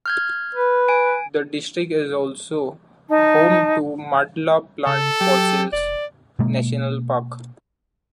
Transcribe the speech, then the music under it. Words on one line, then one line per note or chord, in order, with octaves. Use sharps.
The district is also home to Mandla Plant Fossils National Park.
F6 G6 G#6
B4
G#5 D7
D#4 A5
C#3 A4
F#3 G4
F1 D5
B2 G#3 A#3